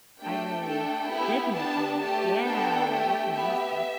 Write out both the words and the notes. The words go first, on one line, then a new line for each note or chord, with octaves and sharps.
I really did make a lot, yeah, that's amazing.
A3 D4 G4 G5
A3 D4 A4 G5
B3 E4 G4
B3 D4 G4 A5
A3 G4 A5
B3 D4 A4 G5
A3 G4
B3 G4 E5